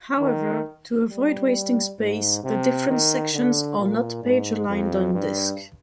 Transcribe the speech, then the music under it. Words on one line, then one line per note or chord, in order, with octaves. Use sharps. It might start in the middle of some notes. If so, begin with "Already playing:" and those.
However, to avoid wasting space, the different sections are not page aligned on disk.
D#3
G3
G#2
C3
D#3
D3
A#2
G#2
F2
G2